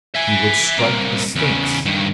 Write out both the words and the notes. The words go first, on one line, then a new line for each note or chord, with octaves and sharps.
He would strike the Sphynx.
E5 G#5
C2 A#3
E2 C#3
G2 D#3